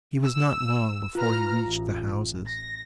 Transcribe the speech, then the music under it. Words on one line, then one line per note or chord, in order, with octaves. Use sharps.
He was not long before he reached the houses.
E6
F4 B4 A#5 F6
A1
A#6